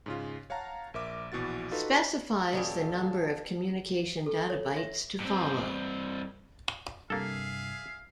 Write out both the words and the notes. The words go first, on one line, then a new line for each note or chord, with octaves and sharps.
Specifies the number of communication data bytes to follow.
G#2 C#3 F4
C#5 F5 F#5 A5 A#5
A#1 A#4 E5 D6
A#1 B2 E3 F#4 A6
D#4 F4 F#4 A4 B4
D#1 G3 B3 C#4 F5 A5 D#6 D7
A4
C#5
E5
G2 C4
G2 C3 A#3 G#4 A4 E5 F5